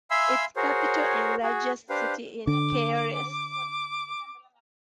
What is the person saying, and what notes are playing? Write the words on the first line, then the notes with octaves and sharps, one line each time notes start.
Its capital and largest city is Kielce.
E5 F5 G#5 B5 C6 E6
F#4 G#4 A#4 C5 C#5
F#4 G#4
D4 G4 B4 C5 F5
D3 D6